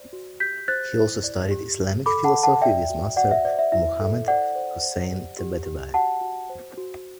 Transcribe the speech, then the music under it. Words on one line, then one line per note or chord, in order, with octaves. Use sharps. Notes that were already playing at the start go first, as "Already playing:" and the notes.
He also studied Islamic philosophy with master Muhammad Husayn Tabatabai.
Already playing: C5 D5
F#4
G4 G6 B6
C5 F#6 A6
E4
D5
G4
G4
A4 B5 D6
F#5 A5
A4
F#5 A5
D5 E5 G5
F#4
F#4 D5 F#5
E5
C5 D5
E5
E4 E5
A4
C5 D5 F#5
C5
C5
G4
G4
G4
F#4 F#5 A5
F#4
C5
F#4